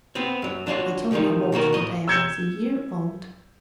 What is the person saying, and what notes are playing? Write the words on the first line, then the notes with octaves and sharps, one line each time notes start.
They tell me I walked the day I was a year old.
B3 C4
F#2 F#3
D4 F4 F#4 C#5
C3 D#3 F3 G3 D#4
B2 D#3 F#4 A#4
A2 D#5
E6 G6 G#6 C#7 E7 G7